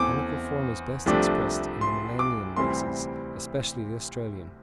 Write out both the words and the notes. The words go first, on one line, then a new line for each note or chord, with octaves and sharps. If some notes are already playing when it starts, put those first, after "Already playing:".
The conical form is best expressed in the Melanian races, especially the Australian.
Already playing: E2 E3 A3 C4 D6
C2 C3 F3 A3 D4
C6
D6
D2 C3 E3 G3 C4 C6